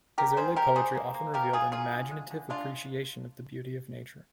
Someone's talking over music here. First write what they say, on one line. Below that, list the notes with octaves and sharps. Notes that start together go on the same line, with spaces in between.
His early poetry often revealed an imaginative appreciation of the beauty of nature.
D#3 G4 A#4
D#3 G#4 C5
G3 G4 A#4
G3 G#4 C5
A#3
A#3
F3 G4 A#4
F3 F4 G#4
A#3 F4 G#4
D3
G#3
D3
G#3 D4 F4